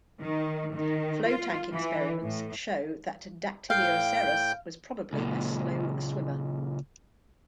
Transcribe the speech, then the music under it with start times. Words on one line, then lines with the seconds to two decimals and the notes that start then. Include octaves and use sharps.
Flow tank experiments show that "Dactylioceras" was probably a slow swimmer.
0.21 D#3
0.73 D#3
1.25 F4
1.71 E3
2.23 A2
3.70 A2 F5 G5 G6
5.13 C#2 A#2